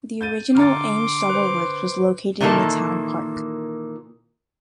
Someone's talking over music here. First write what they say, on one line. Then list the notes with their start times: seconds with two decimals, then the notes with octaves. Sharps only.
The original Ames Shovel Works was located in the Town Park.
0.21 G6 A6 D#7
0.55 D3 A#5 C6 D6 F6 A6 C#7
1.29 B4 C5
2.41 A#2 D#3 E3 F#3 A#3 A4